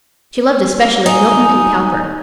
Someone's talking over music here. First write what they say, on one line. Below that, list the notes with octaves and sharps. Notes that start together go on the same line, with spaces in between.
She loved especially Milton and Cowper.
D#4 G#5